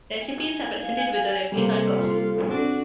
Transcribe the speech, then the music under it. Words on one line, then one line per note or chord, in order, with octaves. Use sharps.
Recipients are presented with a replica trophy.
G#5
F5
C3 G3 A#3 A4
F4
C4 D4 F#4